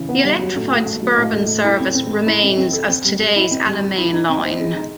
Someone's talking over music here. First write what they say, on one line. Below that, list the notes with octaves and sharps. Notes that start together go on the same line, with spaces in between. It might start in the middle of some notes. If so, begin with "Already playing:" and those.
The electrified suburban service remains as today's Alamein line.
Already playing: C#3 E3
B3
G3
F#3
A2
A2
A3
F#3
A2
A2
A3
E4
C4
C4
A4
E4
C4
C4
A4
C4
G3
G4
E4
C4
G3
G4
E4
D#4
C4
C5
G#4
D#4